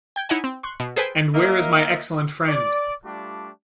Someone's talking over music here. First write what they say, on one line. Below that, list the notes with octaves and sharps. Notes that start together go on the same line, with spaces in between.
And where is my excellent friend?
G5 G6 G#6
D#4 E4 C#5 D#5 F#5 G#5
C4
C6 C#6 F#6
B2
G#4 A4 B4 C5 G5 G#5
A#3 A#4 D#5 E5
D5
G3 A3 D4 F4 G4